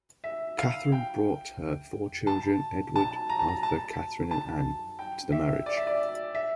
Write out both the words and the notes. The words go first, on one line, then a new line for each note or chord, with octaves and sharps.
Katherine brought her four children Edward, Arthur, Katherine and Ann to the marriage.
E5
F5
G5
A5
A5
A#5
A5
A#5
A5
A5
G5
E5
D5
E5
D5
E5